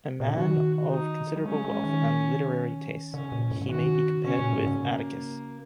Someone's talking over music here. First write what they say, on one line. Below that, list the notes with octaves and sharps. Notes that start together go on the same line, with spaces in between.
A man of considerable wealth and literary tastes, he may be compared with Atticus.
A#2
C#3
D#3 F#4
D#4
F#3
G#3 C#4
G#3
D#3
C#3 C#4
A#2
G#2
C#3
D#3 F#4
C#3 C#4
A#2
G#2
C#3
A#3